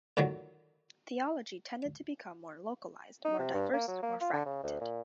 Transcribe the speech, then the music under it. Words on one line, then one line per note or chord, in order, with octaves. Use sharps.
Theology tended to become more localised, more diverse, more fragmented.
A#2 D3 D#3 F#3
D#4
C3
G2
A#3
F#3
A#3
F4
D3
C#3
D2
A#2